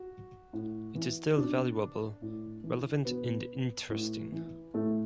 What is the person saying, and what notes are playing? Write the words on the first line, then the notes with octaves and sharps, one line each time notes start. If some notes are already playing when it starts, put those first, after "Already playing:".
It is still valuable, relevant and interesting.
Already playing: F#4
A2
E3
B2 D4
A2
E3
B2 B3
A2
E3
A2 A3